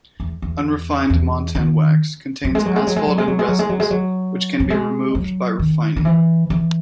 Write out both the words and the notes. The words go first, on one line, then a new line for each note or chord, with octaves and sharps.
Unrefined montan wax contains asphalt and resins, which can be removed by refining.
E2
E2
E2
D#3
F#3
G#3
F#3
G#3
F#3
G#3
F#3
G#3
F#3
G#3
F#3
G#3
F#3
G#3
F#3
F#3
G#3
F#3
D#3
D#3
E3
E3